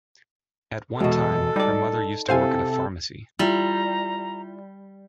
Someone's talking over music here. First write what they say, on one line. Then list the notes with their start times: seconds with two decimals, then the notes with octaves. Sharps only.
At one time, her mother used to work at a pharmacy.
1.00 E2 B2 F#3 G#3 A4
1.56 G3 D#4 D5
2.29 C3 E4 G4 A4 C5 F5 G#5
3.39 G3 E4 F4 A#5